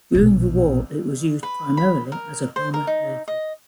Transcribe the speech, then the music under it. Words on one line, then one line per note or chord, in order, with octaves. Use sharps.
During the war it was used primarily as a bomber airfield.
A#1 B2
B4
B5
A#4
C5
A#4
D#4
D#5